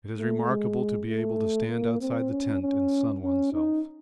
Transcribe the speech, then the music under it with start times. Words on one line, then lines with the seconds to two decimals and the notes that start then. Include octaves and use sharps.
It is remarkable to be able to stand outside the tent and sun oneself.
0.18 A3
0.48 G#3
1.09 A3
1.70 A#3
2.01 C4
2.31 C#4
2.62 C#4
3.22 C#4
3.53 D#4